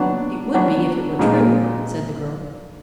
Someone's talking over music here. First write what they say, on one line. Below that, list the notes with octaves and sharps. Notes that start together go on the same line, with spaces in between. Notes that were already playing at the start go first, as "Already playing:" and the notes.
"It would be, if it were true," said the girl.
Already playing: F#3 B3 D4
F#3 B3 D4
A#2 F3 G#3 C4 D#4